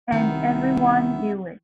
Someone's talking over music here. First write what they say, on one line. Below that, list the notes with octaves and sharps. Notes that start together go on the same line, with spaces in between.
And everyone knew it.
C2 D#3 B3 E5